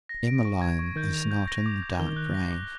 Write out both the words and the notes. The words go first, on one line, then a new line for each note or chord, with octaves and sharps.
"Emmeline is not in the dark grave."
A#6
D7
C#6
G#6
C#6
D#3 G6
F7
G6
A#6
D6
G6
D#3 G7
F#6
A#6
D6